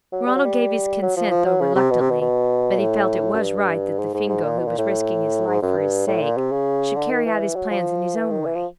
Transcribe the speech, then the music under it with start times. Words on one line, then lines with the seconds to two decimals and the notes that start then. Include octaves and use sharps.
Ronald gave his consent, though reluctantly, but he felt it was right that the Fingo, who was risking his life for his sake, should carry out his plans in his own way.
0.12 F#3
0.26 G3
0.35 F#3
0.45 G3
1.02 F#3
1.16 F3
1.31 F3
1.46 F#3
1.61 C#3
1.75 C3
1.91 B2
2.00 C3
2.10 B2
2.21 B2
2.79 A2
3.34 F#2
3.39 G2
3.98 G#2
4.14 G#2
4.29 G#2
4.43 A#2
4.58 B2
4.68 A#2
4.78 A2
5.47 G#2
5.62 F#2
5.77 G2
6.07 A2
6.22 A#2
6.37 C3
6.51 C#3
6.96 D3
7.11 D#3
7.26 E3
7.56 F#3
7.71 F3
8.15 E3
8.30 D#3
8.45 E3
8.55 F3